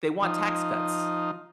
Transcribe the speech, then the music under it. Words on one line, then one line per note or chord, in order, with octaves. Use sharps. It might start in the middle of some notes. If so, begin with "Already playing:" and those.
they want tax cuts.
F3 D#4